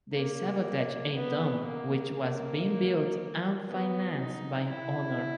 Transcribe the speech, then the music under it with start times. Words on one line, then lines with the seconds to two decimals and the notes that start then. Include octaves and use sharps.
They sabotage a dome which was being built and financed by Honor.
0.14 A#3
1.15 B3
1.65 A#3
2.17 A#3
3.69 B3
4.20 D#4
4.70 E4